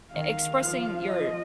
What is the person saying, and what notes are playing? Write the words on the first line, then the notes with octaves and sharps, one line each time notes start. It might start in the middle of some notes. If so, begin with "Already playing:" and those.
e expressing your
D#3 F5
F3
D#5